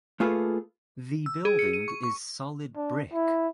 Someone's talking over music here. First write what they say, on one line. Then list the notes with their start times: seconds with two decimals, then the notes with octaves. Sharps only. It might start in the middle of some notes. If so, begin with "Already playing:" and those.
The building is solid brick.
0.20 A3 A#3 F4 G#4 A4 B4
1.26 E6
1.45 G#4
1.59 C#7
1.73 D#7
1.88 C#6
2.03 C#6
2.76 D4
3.14 E4